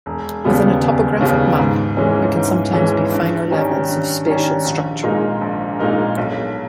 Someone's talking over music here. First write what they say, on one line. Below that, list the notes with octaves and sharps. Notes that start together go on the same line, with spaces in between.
Within a topographic map there can sometimes be finer levels of spatial structure.
E1
D#2 C#3 G3 B3
E1
D#2 C#3 G3 B3
G#2
E3 G#3 C#4
G#2
E3 G#3 C#4
G2
D#3 G3 C#4
G2
D#3 G3 C#4
A#1
A#2 G#3 D#4 A#4
A#1
A#2 G#3 D#4 A#4
B1